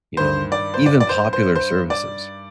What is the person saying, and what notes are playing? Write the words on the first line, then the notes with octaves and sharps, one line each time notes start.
you know, even popular services.
G2 D#3 C5
D5
C5
D5
D5
C5
C5
C5
D5